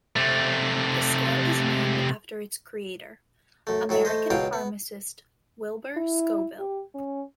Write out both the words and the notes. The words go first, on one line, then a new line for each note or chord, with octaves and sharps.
The scale is named after its creator, American pharmacist Wilbur Scoville.
C3 A3
F#2 A3
A2 F#3 A4 E5
A3 C5 D#5
C#2 B2 F#3 F5 G5 A5
B3
E4
G4
C#4